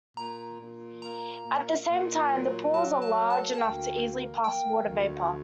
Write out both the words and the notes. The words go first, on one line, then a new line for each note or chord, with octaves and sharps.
At the same time, the pores are large enough to easily pass water vapor.
A#2 A#5
A#2
A#3 A#5
A#2
A#2
F#3
F#3 A5
A5
A#3
A5
A5
D2 G5
A#3
A#3 G5
D2